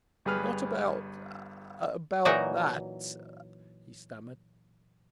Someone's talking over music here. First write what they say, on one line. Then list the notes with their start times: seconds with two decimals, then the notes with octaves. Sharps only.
"Not about--about that--" he stammered.
0.25 G1 G3 G#4 B4 F6
2.25 A#2 E3 F#3 D#4 F#4 A#4